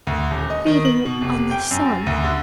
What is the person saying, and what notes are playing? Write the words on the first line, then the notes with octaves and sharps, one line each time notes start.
"Feeding on the sun!"
D2
D#1
D#5
D#3
F#7
B2
F1
G5
F#2
D2
D3